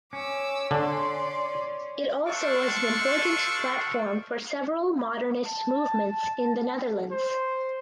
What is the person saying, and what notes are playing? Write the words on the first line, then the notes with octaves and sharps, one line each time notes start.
It also was an important platform for several modernist movements in the Netherlands.
C#4 D6 E6
D3 D5 C6
D4 F4 A4 C5 C#6
A5
C5